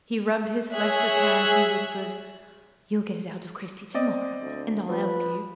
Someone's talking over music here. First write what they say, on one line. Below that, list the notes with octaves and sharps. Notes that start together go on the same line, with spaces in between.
He rubbed his fleshless hands, and whispered: "You'll get it out of Cristy to-morrow, and I'll help you."
G#4 C#5 E5 F#6
C4 D5 D#5
D2
F3 B4